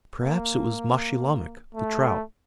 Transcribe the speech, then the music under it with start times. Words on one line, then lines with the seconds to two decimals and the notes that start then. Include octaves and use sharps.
"Perhaps it was Maschilamek, the trout."
0.19 A#3
1.75 A3